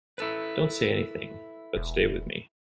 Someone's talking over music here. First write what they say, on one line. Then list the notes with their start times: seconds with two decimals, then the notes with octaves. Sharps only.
Don’t say anything; but stay with me.
0.18 E4 A4 B4
1.76 E1